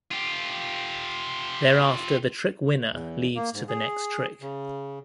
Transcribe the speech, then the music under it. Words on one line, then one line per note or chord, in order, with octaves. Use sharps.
Thereafter the trick winner leads to the next trick.
F4 G4
E2
A#3
G#2
G#4
C#3